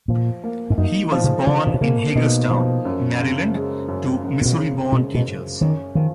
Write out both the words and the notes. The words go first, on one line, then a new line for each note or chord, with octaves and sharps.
He was born in Hagerstown, Maryland, to Missouri-born teachers.
A#2 F3
A#3
G#2
F#2 D#4
F3
C#3
C#3 F3
A#2
B2
C#3 A#3
B2 D#4
F3
F#2
C#3
G#3
F#2
F#2
A#2
B2
C#3
B2 G#3
B2
F#2
D#3 C#4
D#3 F3